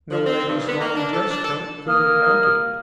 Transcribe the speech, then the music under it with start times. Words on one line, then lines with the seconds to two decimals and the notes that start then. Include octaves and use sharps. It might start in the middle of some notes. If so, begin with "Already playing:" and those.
No lady's long dress trunk could have mounted it.
0.11 F3
0.25 C4
0.47 G2
0.66 B3
0.80 A#3
0.94 D4
1.12 A4
1.29 D4
1.44 A4
1.88 A#3 D#6 F6